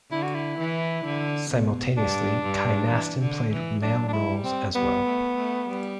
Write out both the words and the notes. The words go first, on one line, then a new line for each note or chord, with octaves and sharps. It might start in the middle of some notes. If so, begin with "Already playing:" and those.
Simultaneously, Kynaston played male roles as well.
D3 E4
F#4
E4
E3
D3
B2
G2 D4
G2
E3
D3
E3
F#3 D4
D4
E4
G3
C4
G3 B3
A3
A3
G3